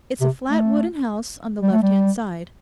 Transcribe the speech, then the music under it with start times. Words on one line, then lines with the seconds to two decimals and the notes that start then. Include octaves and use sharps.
'It's a flat wooden house, on the left-hand side.
0.21 C3
0.50 A3
1.62 G3
1.72 A3
1.83 G3